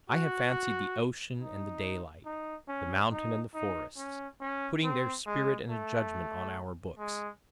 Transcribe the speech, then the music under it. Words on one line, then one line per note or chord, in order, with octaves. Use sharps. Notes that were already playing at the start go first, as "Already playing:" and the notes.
I have fancied the ocean and the daylight, the mountain and the forest, putting their spirit in a judgment on our books.
F#4
D#4
D#4
C#4
D#4
D#4
C#4
C#4
C4
G#3
A3
G#3